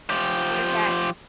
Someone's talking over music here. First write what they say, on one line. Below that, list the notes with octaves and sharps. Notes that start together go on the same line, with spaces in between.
what is that?
F3 G4